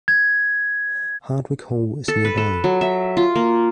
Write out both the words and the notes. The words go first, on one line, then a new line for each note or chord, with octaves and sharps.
Hardwick Hall is nearby.
G#6
A4
B4
A4
F#3
E5
F4
A#3